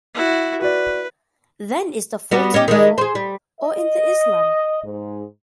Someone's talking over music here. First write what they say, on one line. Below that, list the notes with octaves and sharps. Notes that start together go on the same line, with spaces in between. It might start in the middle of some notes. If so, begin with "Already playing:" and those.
Then is the fault in the phobe, or in the Islam?
E4 F#4
F#4 B4 D5
G3 B3 F#4
C#4 D#4 G4
D#3 G3 G#3
G#4 C5
G3
D#5
G#2